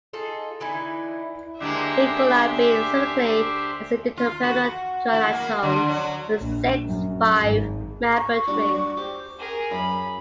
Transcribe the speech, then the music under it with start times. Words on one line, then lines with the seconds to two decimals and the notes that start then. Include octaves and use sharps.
Ginkgolide B specifically, is a diterpenoid trilactone with six five-membered rings.
0.13 D#4 F4 G#4 A4
0.60 D3 E3 D#4 E4
1.60 D3 G#3 A#3 D4 G4 C5 E5
4.17 F4
4.43 F#4
5.13 E4
5.33 A#3
5.63 D3
5.89 F#3
6.38 A#1
6.82 F#2
7.40 G#1 G#2
8.11 C#6
8.47 G3 D4 F#4
8.97 G4 C5
9.39 G#4 A#4 G#5
9.72 F#2 B5